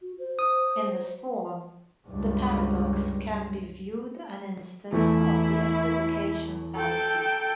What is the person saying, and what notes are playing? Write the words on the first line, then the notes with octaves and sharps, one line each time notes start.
In this form, the paradox can be viewed an instance of the equivocation fallacy.
F#4
C5
D#6
C#2 G2
E2 E3 A3 E4
A4 G5